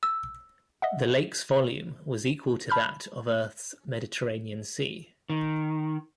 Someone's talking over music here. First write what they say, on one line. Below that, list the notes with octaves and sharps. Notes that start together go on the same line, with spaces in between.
The lakes's volume was equal to that of Earth's Mediterranean Sea.
E6
D#5 E5 F#5
A5 B5 F6 G6
D#3